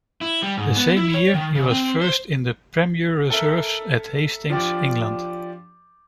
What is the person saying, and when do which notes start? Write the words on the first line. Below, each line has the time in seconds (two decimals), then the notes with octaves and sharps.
The same year he was first in the Premier Reserves at Hastings, England.
0.21 E4
0.42 G3
0.57 G#2
0.76 B3
0.96 E4
1.14 C#5
1.34 D#3
1.55 C#3
1.70 C4
2.01 C5
3.30 A4 A#4 E5
4.50 F3 D4 G4 D5